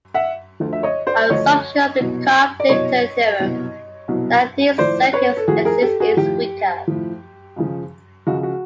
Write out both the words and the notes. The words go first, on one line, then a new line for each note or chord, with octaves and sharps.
The assumption of the Karp-Lipton theorem, that these circuits exist, is weaker.
E5 F#5
D2 D3 F3
E5
C#5 D#5
C5 D5
D2 D3 F3 C#5 D#5
C2 B2 F#3
D5
C2 B2 F#3 C#5 D#5
C2 B2 F#3
C2 B2 F#3
A2 F3 C5 D5
B4 C#5
A4
A2 F3 F#4 G#4
G#4 A#4
G4 A4
F#4 G#4
A2 F3 G4
A2 F3
C#2 C#3 F3
C#2 C#3 F3 F#4
F#4